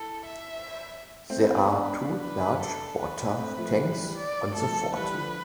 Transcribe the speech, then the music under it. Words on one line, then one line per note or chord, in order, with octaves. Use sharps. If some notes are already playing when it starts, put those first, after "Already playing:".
There are two large water tanks on the fort.
Already playing: E4 A4
E5
A3 C4
B4
B3 D4
B4
B4
A4
B4
A3 C4
F3 A3
E3 G3
E3 G3
D5
F3 A3 A4
E3 G3 B4
D3 F3